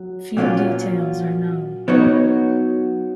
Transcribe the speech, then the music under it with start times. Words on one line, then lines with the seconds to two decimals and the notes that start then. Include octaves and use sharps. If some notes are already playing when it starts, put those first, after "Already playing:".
Few details are known.
Already playing: F#3
0.37 A#2 F#3 A#3 C#4 F4
1.88 F#3 B3 D#4 F#4 C#5